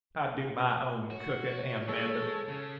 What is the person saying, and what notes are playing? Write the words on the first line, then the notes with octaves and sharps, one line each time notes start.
I do my own cooking and mending.
F#4 C#5
G#3 A4
C#3